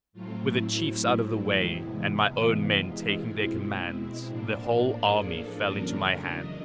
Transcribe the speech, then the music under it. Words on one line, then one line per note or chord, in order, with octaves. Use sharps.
With the chiefs out of the way, and my own men taking their commands, the whole army fell into my hands.
A2 F#3 A3 C4 F4
E4
E2 C3 E3 G#3 B3
F4
B2 G#3 C4 E4
E4
A2 F3 A#3 D4
G#4
A4
E2 C#3 F#3 A3 D4 A#4
A#4
D#5